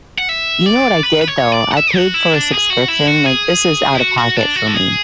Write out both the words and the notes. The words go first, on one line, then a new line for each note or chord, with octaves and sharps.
You know what I did though, I paid for a subscription, like this is out of pocket for me.
F#5
E5
D5
B4
B4
C#5
D5
F#5
E5
F#4
E4
D4
G#4
F#4
E4
F#4
G#4
E4
F#4
F#4
D4
F#4
A4
G#4